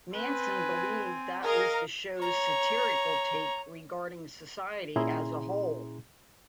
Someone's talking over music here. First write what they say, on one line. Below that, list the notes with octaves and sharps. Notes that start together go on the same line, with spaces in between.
Manson believed that was the show's satirical take regarding society as a whole.
C4 B4 G#5
G#4 A#4 D#5 F5
C#5 A#5
A#2 C#4 E4 G#4 A#5 C6